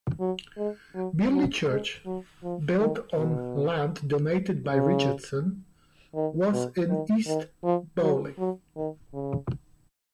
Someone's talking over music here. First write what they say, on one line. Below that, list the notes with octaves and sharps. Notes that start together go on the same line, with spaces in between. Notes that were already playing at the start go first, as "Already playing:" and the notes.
Bierley Church, built on land donated by Richardson, was in East Bowling.
F#3
G#3
F#3
F#3
G#3
F#3
F3
D#3
B2
C#3
D#3
B2
D#3
D#3
F3
F#3
F#3
D#3
C#3